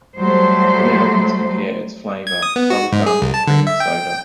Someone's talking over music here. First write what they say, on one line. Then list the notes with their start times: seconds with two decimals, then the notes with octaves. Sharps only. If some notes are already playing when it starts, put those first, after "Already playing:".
Americans compare its flavor to bubblegum or cream soda.
0.18 F#3 G3 A3 C5
2.27 G#6
2.43 D#6
2.56 B3
2.70 F#4
2.92 G#2
3.06 G#4
3.22 C2
3.34 A5
3.47 D3
3.67 E5
3.80 G5